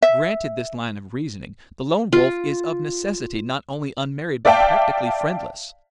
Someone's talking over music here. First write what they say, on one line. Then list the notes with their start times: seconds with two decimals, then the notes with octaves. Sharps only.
Granted this line of reasoning, the Lone Wolf is of necessity not only unmarried but practically friendless.
0.02 E5
2.13 F4
4.45 D5 E5 F5 G5 A5